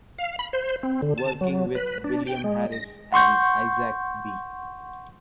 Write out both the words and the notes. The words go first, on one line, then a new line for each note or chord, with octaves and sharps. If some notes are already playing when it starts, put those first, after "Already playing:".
Working with William Harris and Isaac B.
F5
B5
C5
C4
D3
A5
F#3
B4
D4
G5
G#3
A#6
F#5 C6 C#6 G6